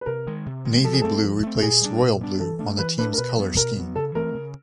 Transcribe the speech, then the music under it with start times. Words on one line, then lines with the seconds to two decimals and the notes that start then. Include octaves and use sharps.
Navy blue replaced royal blue on the team's color scheme.
0.01 B4
0.06 C3 A#4
0.27 D#3 G#3
0.46 C3
0.65 D#3 G#3
0.84 F3 A4
0.93 G#4
1.01 A3 C4 A4
1.24 F3
1.43 A3 C4
1.62 A#2 G#4
1.81 G3 B3 D4
2.02 A#2
2.21 G3 B3 D4
2.40 E3 A4
2.59 A3 D4
2.79 E3 B4
2.98 A3 D4 B4
3.13 A#4
3.18 B2 B4
3.37 F#3 B3
3.57 B2 A#4
3.77 F#3 B3
3.96 C#3 A4
4.15 E3 A3 C4 A#4
4.35 C#3